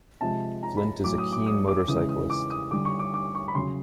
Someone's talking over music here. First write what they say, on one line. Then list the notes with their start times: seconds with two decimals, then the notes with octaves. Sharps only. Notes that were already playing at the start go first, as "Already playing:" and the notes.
Flint is a keen motorcyclist.
0.21 C3 F3 G#3 A5
0.63 A#5
0.77 B5
1.04 A2 F#3 D6
1.18 D#6
1.33 D6
1.46 D#6
1.68 D6
1.88 C#3 E3 G#3 D#6
2.09 D#6
2.30 D6
2.50 D#6
2.71 D3 G3 D6
2.85 C#6
2.99 D6
3.14 D6
3.35 C#6
3.48 B5
3.55 C#3 F#3 C6